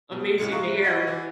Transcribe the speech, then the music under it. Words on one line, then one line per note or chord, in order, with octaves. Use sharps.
amazing to hear.
B2
A2 C#3 G#3 C#7
E5 F5 A#5 C#6 F#6
F#4 D#5 F#5
E3